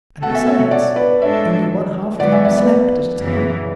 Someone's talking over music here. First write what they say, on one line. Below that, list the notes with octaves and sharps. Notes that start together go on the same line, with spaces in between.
And besides, only one half of him slept at a time.
B2 A3 C#4 F#4 A4 F#5 A5
E5 G#5
C#5 E5
C#5 E5
D5 F#5
B4 D5
A2 G#3 D4 A4 C#5 E5
G#2 F#3 B3 D5 F#5
E5 G#5
D5 F#5
B4 D5
F#2 C#3 E3